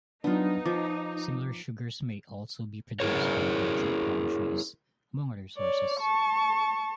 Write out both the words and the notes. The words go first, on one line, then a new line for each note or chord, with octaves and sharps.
Similar sugars may also be produced from birch or palm trees, among other sources.
F#3 B3 D4 D#4 F4
F3 D6
E4 G#4 A#4 C#5
C#5 D5
A5 C#6